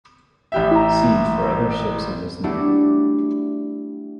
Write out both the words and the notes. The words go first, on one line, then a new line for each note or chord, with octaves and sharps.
See for other ships of this name.
A1 G4 E5
E4 A#5
F#3 G3 A3 D4 E4 F#4